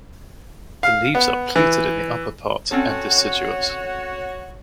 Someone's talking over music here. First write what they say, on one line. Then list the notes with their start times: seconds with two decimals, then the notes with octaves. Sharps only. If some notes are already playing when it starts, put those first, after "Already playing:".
The leaves are pleated in the upper part and deciduous.
0.83 F5
1.15 B3
1.56 E3
2.71 C4 C#4 F#4 A4 C#5